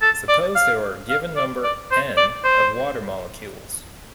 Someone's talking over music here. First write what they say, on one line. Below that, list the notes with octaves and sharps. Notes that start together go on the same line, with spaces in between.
Suppose there are a given number "N" of water molecules.
A4
D5
F5
F5
D5
D5
C5
D5
C5